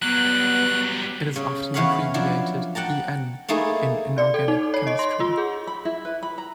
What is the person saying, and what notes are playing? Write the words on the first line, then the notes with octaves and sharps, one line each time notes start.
It is often abbreviated "en" in inorganic chemistry.
F#3 G3 B3 F#6
C#3
E2 E3 C#5 F5 F#5 B5
F3 F#3 D4 E4
F#5 G5 A5 A#5
A3 A#3 D#4 E4 G#4
D5
A4
D#4
C#5
D#5
C6
F4
G#4
B5
E4
B4
B5
A#5